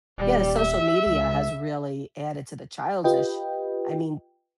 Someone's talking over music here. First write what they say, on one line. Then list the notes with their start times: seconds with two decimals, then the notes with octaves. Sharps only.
Yeah, the social media has really added to the childish, I mean,
0.18 D#1 G3
0.58 E5
1.07 C#2
3.04 F4 G4 B4 D#5 G5